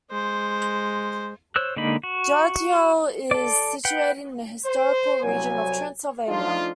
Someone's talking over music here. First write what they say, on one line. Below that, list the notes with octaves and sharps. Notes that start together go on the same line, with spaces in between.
Geoagiu is situated in the historical region of Transylvania.
G#3 C5
C5 C#5 E6 F#6
D3 G#3 A#3 D#4 B5
F#4
A4 D5
B4 F#5 G5
C5
C2 F#3 C#5 G#5
F3 A3 D4 D#4 F4